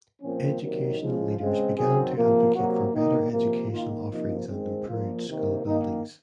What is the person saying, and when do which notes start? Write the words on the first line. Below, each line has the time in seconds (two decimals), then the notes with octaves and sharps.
Educational leaders began to advocate for better educational offerings and improved school buildings.
0.21 A#2 F3 C4 C#4
0.61 C3 D#3 F#3 A#3
0.99 C#3 F3 G#3 D#4
1.38 C#3 G#3 C4 F4
1.77 D#3 F#3 C4 G#4
2.16 C3 F3 A#3
2.54 C3 F#3 A#3 F#4
2.93 D#3 A#3 D#4
3.32 C3 F3 A#3
3.71 D#3 A#3 F4
4.10 C3 F3 A#3 D#4
4.48 D#3 G#3 C4
4.87 A#2 F3 A#3 F4
5.26 C3 D#3 A#3
5.65 D#3 A#3 D#4